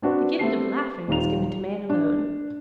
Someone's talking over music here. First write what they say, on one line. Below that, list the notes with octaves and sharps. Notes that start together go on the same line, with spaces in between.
The gift of laughing was given to man alone.
C4 D4 F#4 B4
A3 B3 C4 G4 A5 C7
D#1 G3 D#4 F4 A#5 F7
D4